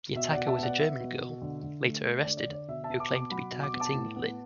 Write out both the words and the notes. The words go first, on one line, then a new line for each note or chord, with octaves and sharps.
The attacker was a German girl, later arrested, who claimed to be targeting Linn.
B2 E5
D5 F#5
B2
E5 A5
B3
D5 F#5
B3 E5
B2
B2
D3
D3
A3
A3
D5
D3
D5
D3 D5
B2 E5
E5 A5
B3
A5 D6
B2
A5 D6
F#3 F#5 B5
B2
D6
B3
A5 D6
A2
B3